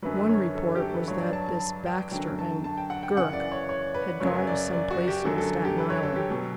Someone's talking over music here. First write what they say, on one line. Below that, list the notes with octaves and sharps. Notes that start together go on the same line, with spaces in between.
One report was that this Baxter and Girk had gone to some place on Staten Island.
F#2 D3 F#3 B4
C#5
A4
A4
G4
A4
B4
G2 F#3 C#5
D5
A5
A5
A5
G5
F#2 D3 F#3 G5
A5
A5
G5
F#5
G5
F#2 C#3 E3 F#5
D5
C#5
C#5
B4
F#2 C#3 F#3 C#5
D5
D5
F#4
G4
F#2 D3 F#3 A4
A4
G4
B4
C#5
A4
G4
B2 F#3